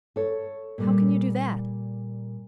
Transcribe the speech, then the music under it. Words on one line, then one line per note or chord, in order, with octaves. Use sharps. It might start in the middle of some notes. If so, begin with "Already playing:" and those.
"How can you do that?"
A4 C#5
A#2 G3